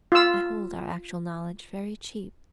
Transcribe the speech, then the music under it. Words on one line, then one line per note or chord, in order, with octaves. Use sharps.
I hold our actual knowledge very cheap.
F4 E6